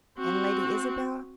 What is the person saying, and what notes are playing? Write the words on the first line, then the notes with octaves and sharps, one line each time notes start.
And Lady Isabel?
C4 F#4